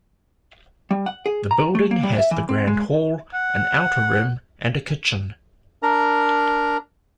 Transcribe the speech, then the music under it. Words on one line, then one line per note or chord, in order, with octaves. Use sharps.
The building has the Grand Hall, an outer room, and a kitchen.
G3
F#5
G#4
A#5
A3
A#3
G3
E5
E3
C4
G#3
F#5
D4 A#4 A#5